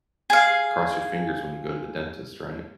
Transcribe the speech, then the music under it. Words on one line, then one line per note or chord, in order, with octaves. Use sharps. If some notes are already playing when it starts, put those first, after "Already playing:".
cross your fingers when you go to the dentist, right?
G#4 F5